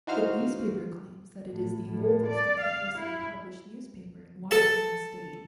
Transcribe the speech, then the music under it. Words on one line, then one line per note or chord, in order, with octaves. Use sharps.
The newspaper claims that it is the oldest continuously published newspaper in Washington state.
E3 D#4 F#4 C5 F5 F6
A2
A2
D5
F5
E4
A4 A5